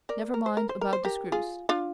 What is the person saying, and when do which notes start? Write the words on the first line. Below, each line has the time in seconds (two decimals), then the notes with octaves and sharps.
Never mind about the screws.
0.09 A#4 D5
0.34 A#4
0.46 C5
0.57 A#4
0.69 C5
0.81 A#4
0.93 C5
1.05 G4 A#4
1.32 F4 G#4
1.69 D4 F4